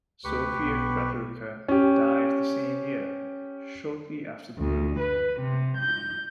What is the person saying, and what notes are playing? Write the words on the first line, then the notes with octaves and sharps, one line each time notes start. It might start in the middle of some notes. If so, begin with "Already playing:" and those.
Sophia Frederica died the same year, shortly after the move.
D2 G4 B4 C#6
B1 B3
C#4 G4
D2
B4
C3
G6